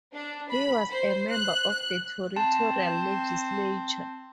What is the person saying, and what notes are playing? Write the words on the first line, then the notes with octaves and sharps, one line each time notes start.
He was a member of the Territorial Legislature.
D4
B5
C5
F#6
F#6
C4 A5